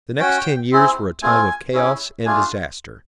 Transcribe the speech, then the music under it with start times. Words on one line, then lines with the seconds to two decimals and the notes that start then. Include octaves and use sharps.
The next ten years were a time of chaos and disaster.
0.20 C#4 F#4 G5
0.72 C4 E4 G#4
1.22 A3 C4 F4 G#4 G#5
1.74 C#4 E4 G#4
2.25 A3 D4 F4 G#4 G#5